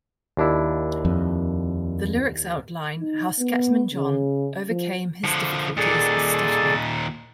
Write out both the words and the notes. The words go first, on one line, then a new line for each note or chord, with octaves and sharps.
The lyrics outline how Scatman John overcame his difficulties with stuttering.
D#2 D4 E4
F2
D#4
B3
C#3
F3
D3 F3
D#2 A#2 G#4 A4 D5